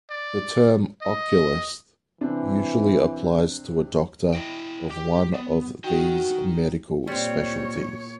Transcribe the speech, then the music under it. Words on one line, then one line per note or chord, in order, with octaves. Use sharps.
The term "oculist" usually applies to a doctor of one of these medical specialties.
D5
D#5
C3 E3 C4 D4
E4 D#5 G5
G4
B3
D#4 F#4 G5
A#2 G3 C4 C#5